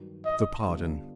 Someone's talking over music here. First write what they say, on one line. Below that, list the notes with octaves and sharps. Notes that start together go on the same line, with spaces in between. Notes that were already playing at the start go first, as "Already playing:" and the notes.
The Pardon.
Already playing: G2 D#3 F#3
D#5
D3 G3 B3 D4 F4